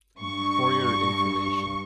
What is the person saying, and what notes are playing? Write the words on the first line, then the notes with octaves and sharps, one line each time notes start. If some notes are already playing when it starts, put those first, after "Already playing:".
For your information.
G2 C#6